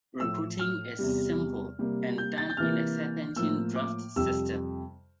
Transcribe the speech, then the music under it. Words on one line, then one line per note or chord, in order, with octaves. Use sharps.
Recruiting is simple and done in a serpentine draft system.
A2 F3 A3 E6
F6
E2 C3 G3
C3 G3 A#3
G6
A6
G6
C3 E3 A#3 F6
A2 F3 A#3 E6
D6
F2 C3 G3 E6